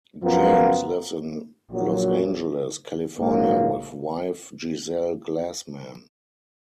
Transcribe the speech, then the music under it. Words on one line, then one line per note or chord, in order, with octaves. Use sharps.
James lives in Los Angeles, California with wife Giselle Glasman.
F#2 F3 B3 F4 A#4
A#1 A#2 F#3
A#1 G#2 F#3 A#3